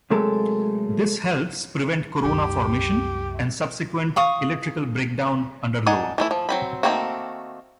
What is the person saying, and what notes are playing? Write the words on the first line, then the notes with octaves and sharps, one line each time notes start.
This helps prevent corona formation and subsequent electrical breakdown under load.
C3 F#3 G#3 A3 A4 A#4
C2 F#2 G4
F5 C#6 D#6
D4 D#4 F#5 G#5
E3 A3 E4
F3
F#3 C4 B5
D#3 A3 A#3 C4 F#4